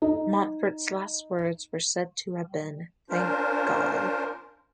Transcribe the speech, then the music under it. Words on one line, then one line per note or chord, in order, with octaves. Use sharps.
Montfort's last words were said to have been "Thank God".
D#4
C#4 D4 F4 A#4 C5